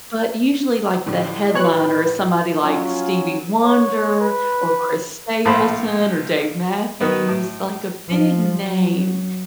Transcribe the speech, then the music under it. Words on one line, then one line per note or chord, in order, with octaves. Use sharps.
but usually, like, the headliner is somebody like Stevie Wonder, or Chris Stapleton, or Dave Matthews, like, a big name,
A2 D3 G3
B2 B4 C#5 F#6
F#3 C#4 F4
C#5
B4
A#1 A2 A4 C5 B5
D#3 B3
A2
F3
F#3